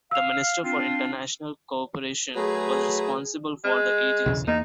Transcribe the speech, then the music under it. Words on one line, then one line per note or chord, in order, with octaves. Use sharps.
The Minister for International Cooperation was responsible for the agency.
F5 E6 F7
C4 D4 F4
F#3 A3 G#4 B4 A#5
G#3
B1 E2 C#3
E2 A#3 D#4